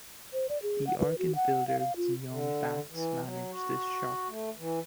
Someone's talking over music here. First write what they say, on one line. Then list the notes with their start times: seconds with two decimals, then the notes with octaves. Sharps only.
The organ builder Guillaume Bax managed this shop.
0.33 C5
0.49 D5
0.63 G#4
0.87 F#5
0.99 B4
1.19 F#4
1.36 F#5
1.67 F5
1.79 F5
1.96 F4
2.29 D3
2.90 E3
3.22 F#3
3.52 F#4
4.28 A3
4.58 E3